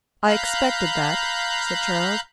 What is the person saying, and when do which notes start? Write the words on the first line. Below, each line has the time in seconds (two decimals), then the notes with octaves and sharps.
"I expected that," said Charles.
0.24 F5 A#5 B5 F#6 G6